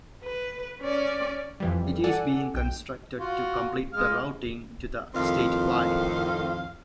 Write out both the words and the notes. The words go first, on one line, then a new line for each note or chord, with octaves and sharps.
It is being constructed to complete the routing to the state line.
B4
C#4 D5
F2 E3 G3
A4 D5 F#5 G#5
B1 G5
F4 F#4
G#3 F5
F2 A2 D#3 C4 F4 F5